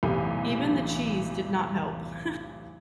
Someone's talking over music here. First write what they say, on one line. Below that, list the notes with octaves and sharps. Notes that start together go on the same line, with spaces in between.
Even the cheese did not help.
B1 E2 A2 C3